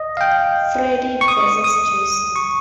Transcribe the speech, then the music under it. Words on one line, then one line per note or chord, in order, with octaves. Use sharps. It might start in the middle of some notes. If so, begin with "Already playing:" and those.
"Freddy versus Jason".
Already playing: D#5
F5
G5
C#6
D#6
D#6
C#6